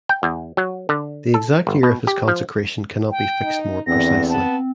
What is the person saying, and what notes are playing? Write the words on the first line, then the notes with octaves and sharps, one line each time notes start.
The exact year of his consecration cannot be fixed more precisely.
G5
E2
F#3
D3
A4
G1
B2
G4
F3
G5
D#4
E2 D3 C4 A#6
B3 A5